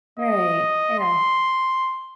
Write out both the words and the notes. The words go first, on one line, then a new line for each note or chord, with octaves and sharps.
Right, yeah.
D#5
C6